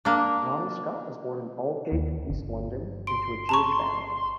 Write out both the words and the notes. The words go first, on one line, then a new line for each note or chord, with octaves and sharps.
Ronnie Scott was born in Aldgate, East London, into a Jewish family.
A#3 D4
D#2
G1
C6 D7
A5 A#5 C#6